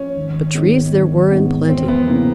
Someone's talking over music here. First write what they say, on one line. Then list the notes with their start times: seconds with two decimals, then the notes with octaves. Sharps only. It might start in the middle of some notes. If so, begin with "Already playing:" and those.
But Trees there were in plenty.
Already playing: C#4
0.16 G#1
0.54 G#2 D#3 G#3 B3
0.93 G#1
1.31 G#2 D#3 G#3 B3
1.69 E2 C4
1.88 B3
2.07 C#3 E3 A#3